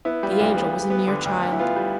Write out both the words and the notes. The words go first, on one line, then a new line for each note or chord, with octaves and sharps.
The Angel was a mere child.
B3 E4
G3
F4
D2
B3
G3
B3
D3
D2
D2
E4
B3 F4
G3